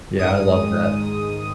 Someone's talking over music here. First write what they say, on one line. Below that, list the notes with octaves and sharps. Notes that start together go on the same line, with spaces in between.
Yeah, I love that.
G#2 D#3 G#3 D#6